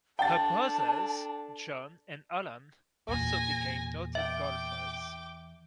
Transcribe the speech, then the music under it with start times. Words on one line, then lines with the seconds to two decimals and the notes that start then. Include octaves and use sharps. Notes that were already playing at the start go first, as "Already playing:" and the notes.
Her brothers John and Allan also became noted golfers.
0.19 D4 A4 G5 A5 A6
3.09 E2 A#2 G#5 A#6
4.15 E5 G5 D6